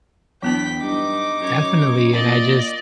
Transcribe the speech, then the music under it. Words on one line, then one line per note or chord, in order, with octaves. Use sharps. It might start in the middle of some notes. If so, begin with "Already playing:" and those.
Definitely, and I just
E2 F#3 B3 D4 G5 B6
G2 D#4 D6
F#2 C#5
A#2 D5 D#5